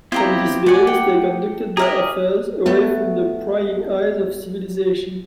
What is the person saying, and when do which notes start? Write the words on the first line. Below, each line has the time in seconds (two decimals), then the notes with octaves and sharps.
From this base, they conducted their affairs away from the prying eyes of civilization.
0.12 B3 C4 E4 F4 G4 A#5
0.66 A3 D5 F#5 G#5 D6
0.87 G5
1.77 G4 G#4 E5 A#5 F6
2.66 A3 B3